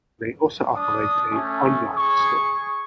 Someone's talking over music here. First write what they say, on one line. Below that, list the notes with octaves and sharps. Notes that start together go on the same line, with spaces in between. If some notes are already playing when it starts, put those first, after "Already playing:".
They also operate a On-Line Store.
D4 D#6
A3 C#4
G#4 C#6